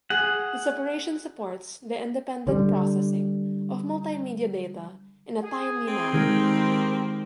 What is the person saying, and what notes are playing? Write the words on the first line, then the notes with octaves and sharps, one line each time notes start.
The separation supports the independent processing of multimedia data in a timely manner.
G#4 F#5
D3 G3
G#4
C4
D#3 G#3 G4 G#4 A#4